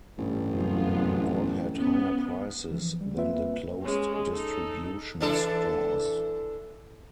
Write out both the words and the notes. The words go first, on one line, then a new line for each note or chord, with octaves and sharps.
All had higher prices than the closed distribution stores.
A1 G2
C2 F#2 B3 F4
B3 C#4
E3 F3
G3
A#3 C4 F4 B4 E5
G#3 C#4
D#4 A4
E3 D4 A4